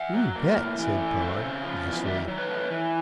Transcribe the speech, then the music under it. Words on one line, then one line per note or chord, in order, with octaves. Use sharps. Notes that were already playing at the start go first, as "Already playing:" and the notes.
"You bet," said Pod, icily.
Already playing: E5 F#5
F#3
A#3
A2
E3
A3
C4
C#3
F3
E2
D#3 D5 E5
F#3
B4 C#5
A3
E3